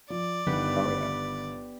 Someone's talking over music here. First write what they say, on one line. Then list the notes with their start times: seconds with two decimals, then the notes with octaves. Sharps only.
Oh, yeah.
0.10 F3 D5
0.47 G1 D#3 B3 G4 B4